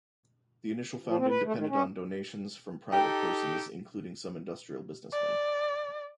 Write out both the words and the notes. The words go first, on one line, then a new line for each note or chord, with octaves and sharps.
The initial founding depended on donations from private persons including some industrial businessmen.
F3
C4
B4
A3
D#3
C#4
D#4 G4 A4 G5
D5